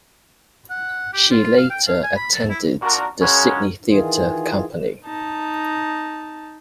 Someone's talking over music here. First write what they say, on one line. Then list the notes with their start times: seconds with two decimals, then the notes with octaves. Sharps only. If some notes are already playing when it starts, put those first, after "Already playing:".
She later attended the Sydney Theatre Company.
0.70 F#5
1.14 G4
1.31 F4
1.58 F5
1.70 G5
1.87 F5
2.04 G#5
2.16 B5
2.33 A4
2.50 E4
2.81 A#2 D4 F#4 A#4
3.20 C#3 G#3 C#4 F#4 A#4
3.89 D#3 E3 F4 G#4
5.05 D#4 A5